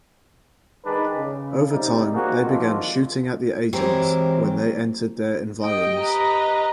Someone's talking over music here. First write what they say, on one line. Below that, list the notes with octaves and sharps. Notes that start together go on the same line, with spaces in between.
Over time they began shooting at the agents when they entered their environs.
D#3 G#3 D4 D#4 G#4 B4
C#3
C3 G3 D#4
A#3 C4 D#4 F#4 G#4 A#4
G#1 D#2 D3 F3 G#3 F4
E3 F#3 G#3 C4 G4 A#4
G4 D#5 G5
B4 A#5